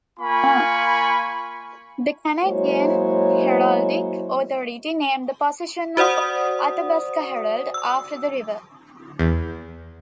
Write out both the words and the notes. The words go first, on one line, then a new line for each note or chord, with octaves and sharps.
The Canadian Heraldic Authority named the position of Athabaska Herald after the river.
A#3 F4 G#5 B5 C#6
F#3 G#3 A#3 E4 C5 C#5
F#4 C5 D5 F#5 D#6
E6
E2